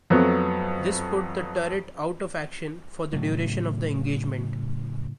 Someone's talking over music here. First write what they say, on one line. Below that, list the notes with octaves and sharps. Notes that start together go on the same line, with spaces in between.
This put the turret out of action for the duration of the engagement.
F2 F#3 A3 B3
A2 C#3 F#3